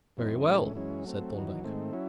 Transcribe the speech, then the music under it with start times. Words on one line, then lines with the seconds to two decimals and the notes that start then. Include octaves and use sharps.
"Very well," said Thorndyke.
0.17 F#2 E3 C4 D#4
0.46 A2 E3 G#3 C#4
0.75 F#2 E3 G#3 C#4
1.05 F#3 A3 C4
1.34 E2 D#3 F#3
1.64 G#2 D#3 A3 C4
1.93 F#3 C#4 E4